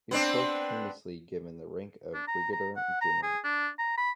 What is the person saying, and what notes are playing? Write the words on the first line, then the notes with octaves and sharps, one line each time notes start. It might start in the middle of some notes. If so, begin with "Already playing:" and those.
He was posthumously given the rank of Brigadier General.
B3 C4 D4
D4
A#5
A#5
F#5
A#5
G#4
D4
A#5
B5